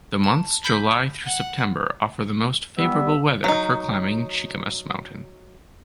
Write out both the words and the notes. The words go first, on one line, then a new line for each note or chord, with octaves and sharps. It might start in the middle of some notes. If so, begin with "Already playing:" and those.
The months July through September offer the most favorable weather for climbing Cheakamus Mountain.
A5
B5 G6 B6
F#5
G3 B3 E5
F#3 D#4